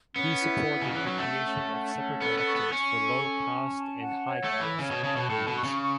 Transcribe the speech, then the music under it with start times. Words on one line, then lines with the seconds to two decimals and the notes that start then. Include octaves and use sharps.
He supported the creation of separate electorates for low caste and high caste Hindus.
0.15 B3 C#4
0.41 E4
0.67 C#4
0.81 C#3
0.93 E3 C#4
1.07 F#3
1.18 A3 F#5
1.44 C#4
1.69 F#5
1.96 C#4
2.21 B3 A4
2.38 B3
2.47 C#6
2.56 B3
2.72 C#4 C#6
2.98 A4
3.24 C#6
3.50 A5
3.76 A5
4.01 F#5
4.27 C#5
4.44 A3
4.53 C#5
4.61 E3
4.78 C#3 C#5
4.91 B2
5.04 C#3 A5
5.16 B2
5.29 A2 A4
5.47 B2
5.55 C#6
5.64 C#3
5.81 C#6